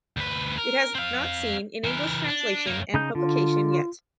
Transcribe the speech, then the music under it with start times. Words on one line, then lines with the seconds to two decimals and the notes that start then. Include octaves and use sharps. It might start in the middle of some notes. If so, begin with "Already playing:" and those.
It has not seen an English translation and publication yet.
0.17 D2 B4
0.58 A#4
0.95 C4 F5
1.84 E3 A#4
2.27 D4
2.66 F#2 A#3
2.94 C#3 D#4 G6
3.15 D3 F4